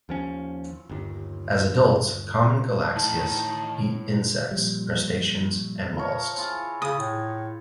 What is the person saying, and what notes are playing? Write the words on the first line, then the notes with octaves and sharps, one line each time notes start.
As adults, common galaxias eat insects, crustaceans, and molluscs.
D#2 F3 C#4
G1 D#2
A2 D#3 D#4 A5
A#2 F3 G3
F3 A#4 C#5
E4 F4 G#4
C#3 D#6
A2